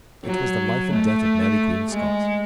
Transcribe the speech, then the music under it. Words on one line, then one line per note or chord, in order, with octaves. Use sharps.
It was the life and death of Mary Queen of Scots.
F#3
A3
G#3